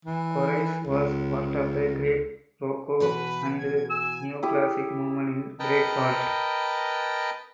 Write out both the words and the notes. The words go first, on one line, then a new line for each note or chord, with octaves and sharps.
Korais was part of the Greek Rococo and Neoclassical movements in Greek art.
E3
C#2
B2 E3 F#4 B4
G#6
G#5 E6
E4 G4 D#6
A#4 B4 D#5 G5 A5 A#5